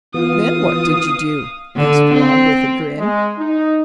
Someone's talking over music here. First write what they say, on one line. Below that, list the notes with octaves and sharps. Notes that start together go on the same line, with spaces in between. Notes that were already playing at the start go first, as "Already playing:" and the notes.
"Then what did you do?" asked Rob, with a grin.
E3 B3 F4 F5 D#6
D3
C4
G#3
D#4